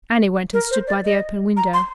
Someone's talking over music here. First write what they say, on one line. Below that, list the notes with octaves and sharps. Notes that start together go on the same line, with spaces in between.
Annie went and stood by the open window.
A#4
C5
D5
D#5
A#5
C6